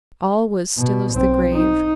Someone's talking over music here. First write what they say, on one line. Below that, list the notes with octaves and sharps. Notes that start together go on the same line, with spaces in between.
All was still as the grave.
B2
B1 C4
D#4